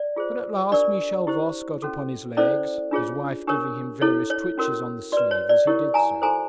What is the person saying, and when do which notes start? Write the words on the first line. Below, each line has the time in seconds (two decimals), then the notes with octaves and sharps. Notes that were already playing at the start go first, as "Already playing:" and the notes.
But at last Michel Voss got upon his legs, his wife giving him various twitches on the sleeve as he did so.
Already playing: D5
0.16 F4 G#4 C5
0.71 D4 G4 A#4 D5
1.27 E4 G4 C5
1.82 C#4 F#4 A4
2.37 C#4 E4 A4 C5 D5
2.91 D4 F4 G#4 C#5
3.47 D4 G4 A#4 C#5
4.01 E4 A4 C#5
4.30 C#5
4.58 C#4 F#4 A#4 C#5
5.12 F#4 B4 D5
5.31 C#5
5.49 D5
5.67 E4 G4 A#4 C#5
5.94 G#5 A#5
6.22 F#4 A4 C5 G#5 A#5